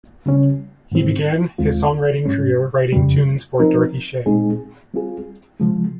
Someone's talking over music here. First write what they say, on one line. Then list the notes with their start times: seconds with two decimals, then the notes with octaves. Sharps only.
He began his songwriting career writing tunes for Dorothy Shay.
0.26 C#3 G3 C#4
0.92 G#2 D#3 G3 C4
1.58 D#2 D#3 G#3 C4 F4
2.25 G#2 G3 C#4
2.92 F2 C#3 G3
3.60 F3 C4 D#4 A#4
4.26 A#2 G#3 C4 D#4 G#4
4.93 G3 C4 F4 G#4
5.60 C3 F3 G#3